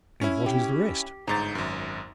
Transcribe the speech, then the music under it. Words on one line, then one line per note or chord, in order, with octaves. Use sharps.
"And what is the rest?"
C#4 E4
G4
G1 G#2 D#4 C5 A#5 A6
G#1 F#2